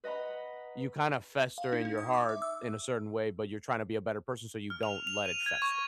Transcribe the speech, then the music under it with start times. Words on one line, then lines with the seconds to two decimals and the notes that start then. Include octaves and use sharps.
you kinda fester in your heart in a certain way, but you're trying to be a better person, so you don't let it fester.
0.04 B4 D#5 F#5 A#5 B5
1.58 F5
1.73 D#4
1.85 D#4
1.98 D#6
2.13 D6
2.29 E5
2.42 E6
4.70 F6
4.83 F7
5.07 F7
5.26 D#7
5.46 G#6
5.62 C#6